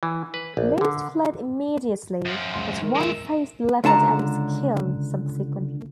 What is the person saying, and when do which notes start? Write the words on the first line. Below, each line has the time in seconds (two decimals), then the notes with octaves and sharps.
Most fled immediately but one faced the leopard and was killed subsequently.
0.03 E3
0.34 B4
0.57 A#1
0.81 D3
2.25 F#2 F3
2.54 C#2 C6
2.81 D#3 A#4
2.95 G#3 E5
3.84 C#2 D3 A5 A#5